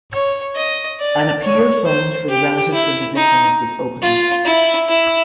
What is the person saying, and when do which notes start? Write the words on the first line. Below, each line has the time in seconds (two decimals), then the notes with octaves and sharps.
An appeal fund for the relatives of the victims was opened.
0.12 C#5
0.56 D#5
1.00 D5
1.43 C#5
1.85 C5
2.29 G4
2.72 E4
3.15 D#4
4.02 F4
4.45 E4
4.88 E4